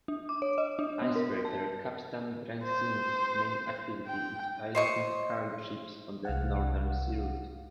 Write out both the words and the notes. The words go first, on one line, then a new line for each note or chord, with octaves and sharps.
Icebreaker "Kapitan Dranitsyn"'s main activity is piloting cargo ships on the Northern Sea route.
D4
D6
C#5
D#5
D4
B3
A#4
A5
C5
G5
C5 D#5 C#6
C2 F5 F#5